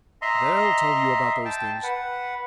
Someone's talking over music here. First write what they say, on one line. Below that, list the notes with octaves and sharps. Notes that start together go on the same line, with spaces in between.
They'll tell you about those things.
D#5 E5 A#5 C6
G5 A5
B4 F#5